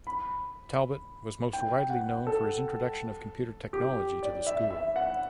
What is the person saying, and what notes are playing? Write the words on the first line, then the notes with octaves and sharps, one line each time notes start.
Talbot was most widely known for his introduction of computer technology to the school.
B5
G5
F#5
A4
G4
D5
E5
E5
F#5